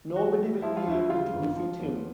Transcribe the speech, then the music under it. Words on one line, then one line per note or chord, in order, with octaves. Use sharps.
Nobody will be able to defeat him.
E3 F#4
G3
F3 E4
F4
D2 E4
C#3 F4
G1
F3
E2